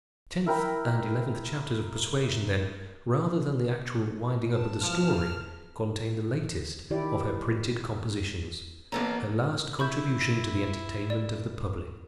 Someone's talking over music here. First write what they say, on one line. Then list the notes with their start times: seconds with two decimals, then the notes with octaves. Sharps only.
The tenth and eleventh chapters of 'Persuasion' then, rather than the actual winding-up of the story, contain the latest of her printed compositions, her last contribution to the entertainment of the public.
0.46 E4 A#4 G5 B5
4.52 F#2 B4 A5
4.81 B2 E3 F3 F6
6.90 D#3 E4 G4 D5
8.92 A1 A#3 B3 C#4 A4 A#5
9.79 E4 B5 C#6 G6
11.10 D5